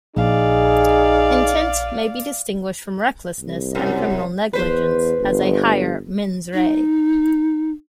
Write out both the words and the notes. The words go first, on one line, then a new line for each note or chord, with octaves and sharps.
Intent may be distinguished from recklessness and criminal negligence as a higher "mens rea".
A#1 D#4 G#4 D5 F5
C2
F#2 B2
E2 B4 C5
G1
D#4